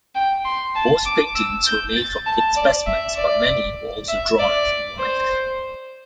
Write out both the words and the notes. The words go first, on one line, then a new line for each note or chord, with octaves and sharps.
Most paintings were made from dead specimens, but many were also drawn from life.
G5
C6
A5
D6
E6
G6
A6
A5
D5
E5
D5
E5
D5
C5